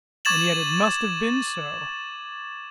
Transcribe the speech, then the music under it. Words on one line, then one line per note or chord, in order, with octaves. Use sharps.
And yet it must have been so!
C#6 D6 G#6 A6 E7 F#7